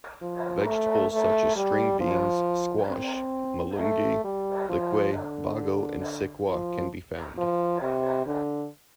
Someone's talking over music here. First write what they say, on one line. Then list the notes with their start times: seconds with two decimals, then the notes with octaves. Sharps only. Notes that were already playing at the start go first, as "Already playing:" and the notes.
Vegetables such as string beans, squash, malunggay, likway, bago and sikwa can be found.
0.22 F3
0.66 A3
1.11 A3
1.56 G3
2.00 F3
2.89 C4
3.79 A3
4.24 G3
4.69 F3
5.14 D3
6.48 F3
7.38 F3
7.82 C3
8.26 D3